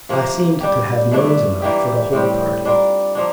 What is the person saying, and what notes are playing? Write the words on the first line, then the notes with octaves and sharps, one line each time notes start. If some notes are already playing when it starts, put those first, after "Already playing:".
I seemed to have nose enough for the whole party.
C3 F3 A#3
G3 D4 G4
G2 E3 A3 D4
E3 A#3 D4 G4
A2 G3 C4 G4
G3 D4 F4 A#4
F3 A#3 D4